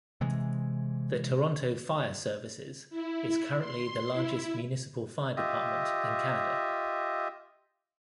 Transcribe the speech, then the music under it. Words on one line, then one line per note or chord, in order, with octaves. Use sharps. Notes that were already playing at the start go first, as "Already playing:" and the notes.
The Toronto Fire Services is currently the largest municipal fire department in Canada.
C3 E3 G#3
E4
C6
E4
F4 G4 D#5 E5